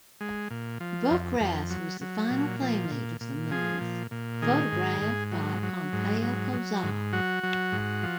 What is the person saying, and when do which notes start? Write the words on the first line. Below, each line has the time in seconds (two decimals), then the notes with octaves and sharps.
Bockrath was the final Playmate of the Month photographed by Pompeo Posar.
0.21 G#3
0.51 A#2
0.80 F3
1.10 F2
1.40 F2
1.70 F#3
2.01 F#3
2.30 A#2
2.61 F3
2.91 A#2
3.21 A#2
3.51 F3 G#4
3.81 A#2
4.11 A#2
4.42 D#3 G#4
4.72 G#2
5.01 G#2
5.32 F#3
5.63 F#3
5.93 G#2
6.22 F#3
6.53 F#3
6.83 G#2
7.13 F#3 F#4
7.43 F#3
7.72 G#2
8.03 F3